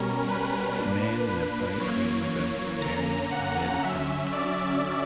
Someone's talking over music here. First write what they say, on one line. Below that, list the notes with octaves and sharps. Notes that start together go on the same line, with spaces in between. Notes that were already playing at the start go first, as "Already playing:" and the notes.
Man in a bright green vest staring amid a crowd.
Already playing: B2 G3 C#4 A#4
B4
A#2 A#3 D4
B4
F#2 E3 A#3 C#5
D3 A#3 C#4 A#5
F#5
D3 F#3 C#4 E5
D5